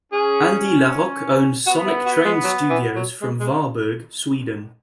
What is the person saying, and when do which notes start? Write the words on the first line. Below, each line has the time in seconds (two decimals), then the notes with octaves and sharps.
Andy LaRocque owns Sonic Train Studios from Varberg, Sweden.
0.12 C#4 G#4
1.66 B3 F#4
1.87 E4
2.05 F#4
2.25 G#3
2.44 F#3
2.70 E3
2.95 F#3
3.21 G#3
3.40 G#3